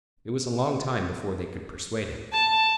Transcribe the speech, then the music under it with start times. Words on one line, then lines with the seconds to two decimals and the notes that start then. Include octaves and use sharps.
It was a long time before they could persuade him.
2.33 A5